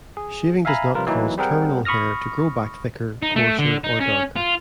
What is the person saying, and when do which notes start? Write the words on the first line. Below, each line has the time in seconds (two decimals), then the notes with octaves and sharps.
Shaving does not cause terminal hair to grow back thicker, coarser or darker.
0.17 G#4
0.65 E5 F5 G#5 A#5 B5
0.95 C3 F3 G3 F4 A#4 B4
1.07 E3 F#3 A#3 D#4 E4
1.38 G3 C4 G#4 A#4 F#5 G5
1.85 B5 C#6 D#6 F6 A#6
3.22 D#4
3.36 A3
3.59 D3
3.84 D#4
4.01 C#4
4.36 F4